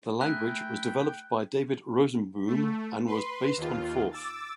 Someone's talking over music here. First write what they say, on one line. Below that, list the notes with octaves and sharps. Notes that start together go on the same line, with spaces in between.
The language was developed by David Rosenboom and was based on Forth.
A3 E4 G#4 A#4 G5 F#6
A3
B4 C6
D#2 F4
D6 E6 A6